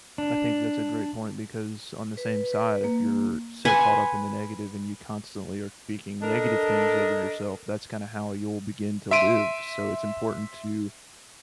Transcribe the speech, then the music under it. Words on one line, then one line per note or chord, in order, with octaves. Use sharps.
I think that's a great point because on the same side, if you're so caught up in the negative and you constantly are speaking negative things over yourself, that's kinda how you'll begin to live, so it's important to
D4
B4
B4
A#3
B4 F#5 G#5 C6
D4 A4 A#4 D#5
E5 C6 D7 D#7